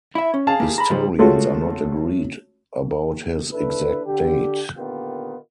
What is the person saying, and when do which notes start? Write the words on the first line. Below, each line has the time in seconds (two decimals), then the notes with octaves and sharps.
Historians are not agreed about his exact date.
0.15 E4 E5
0.34 C#4
0.47 G#4 F5 A5
0.60 A#3 E4 G4
0.78 A#5 B5
0.90 C#3 F3 G3 G#3
1.19 G#3 A3 C#4 F4 F#4
3.52 D#2 D4 E4 A4 B4
4.06 D3 G4
4.77 A#2 D3 D#3 B3 F4 G4